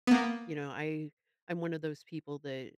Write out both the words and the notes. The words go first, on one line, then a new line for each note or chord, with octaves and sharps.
you know, I I'm one of those people that
A#3 B3